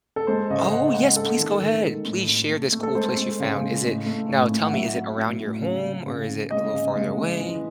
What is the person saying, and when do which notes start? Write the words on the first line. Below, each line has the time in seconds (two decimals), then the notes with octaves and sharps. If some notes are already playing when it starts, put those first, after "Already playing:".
Oh, yes. Please go ahead. Please share this cool place you found. Is it now tell me. Is it around your home, or is it a little farther away?
0.16 A4
0.27 G#3 C5
0.50 C#3 D#5
0.72 C#3 F#5
0.94 G#3 F#5
1.16 G#3 A4
1.39 D#3
1.61 D#3
1.83 G#3
2.05 A2
2.29 A2
2.50 A3
2.72 A3
2.83 A4
2.95 G#3 C5
3.17 G#3
3.40 C#3
3.61 G#3
3.84 A2
4.06 A3
4.29 A2
4.51 A2
4.64 F#5
4.73 F#3 E5
4.95 A2
5.18 A2
5.39 A2
5.62 C#3
5.85 C#3
6.06 C#3
6.28 C#3
6.51 G#3 D#5
6.74 C#3
6.96 G#3
7.18 G#3
7.40 E3